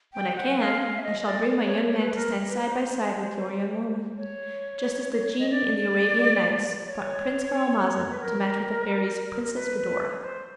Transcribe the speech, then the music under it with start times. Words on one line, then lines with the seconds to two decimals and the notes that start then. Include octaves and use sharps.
When I can, I shall bring my young man to stand side by side with your young woman, just as the genie in the Arabian Nights brought Prince Caralmazan to match with the fairy's Princess Badoura.'
0.14 G5
0.36 F#5
0.58 F5
0.81 F5
0.97 E5
1.03 D#5
1.20 D#5
1.26 D5
1.64 C#5
1.92 C5
1.98 B4
2.15 A#4
2.48 B4
2.65 C5
4.17 C#5
5.39 D#5
5.51 D5
6.85 C#5
8.11 B4
8.20 A#4
9.43 A#4
9.54 B4
10.21 C5